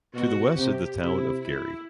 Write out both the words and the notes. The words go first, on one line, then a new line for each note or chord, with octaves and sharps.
To the west is the town of Gerry.
B2 F#4
C3 G4
C3 E4
E4